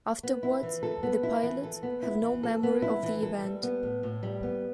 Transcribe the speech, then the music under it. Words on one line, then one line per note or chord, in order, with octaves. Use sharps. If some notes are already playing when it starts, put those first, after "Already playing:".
Afterwards, the pilots have no memory of the event.
B3
E4
E3
A4
B3
E4
E3
A4
B3
E4
E3
A4
B3
E4
E3
A4
G3
B3
A2
A2
G3
B3